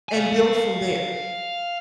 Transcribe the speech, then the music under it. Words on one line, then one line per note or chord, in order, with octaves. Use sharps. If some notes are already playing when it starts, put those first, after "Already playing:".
And build from there,
F5 G#5